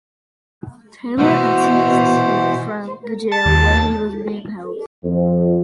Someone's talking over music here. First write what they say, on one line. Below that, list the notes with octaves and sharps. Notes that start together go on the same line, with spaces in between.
Taylor and seized him from the jail where he was being held.
B2 E3 F#4 C5
A5
D#2
F2